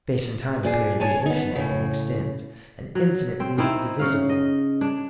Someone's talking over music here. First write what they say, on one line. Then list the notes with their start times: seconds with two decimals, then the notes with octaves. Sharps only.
Space and time appear to be infinite in extent, and infinitely divisible.
0.63 A#2 D4 G#4
1.00 G#4 C#5 G#5 A5
1.26 B3 D#4
1.55 A2 C#3
2.95 F#3
3.40 C4
3.57 D#3 C4 D#4 E4
3.99 C#3 F5
4.29 D#5
4.81 D4